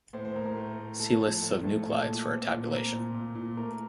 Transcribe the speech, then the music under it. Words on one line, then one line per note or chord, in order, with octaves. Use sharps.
See list of nuclides for a tabulation.
A2 C5
C5
A2 A#4
A#4
A3
A2
A3 A4
F3
A2
A3
A#2 A4
A#2
C4
A#2
C4 A#4
A#2
A#2
A#2
A3 A#4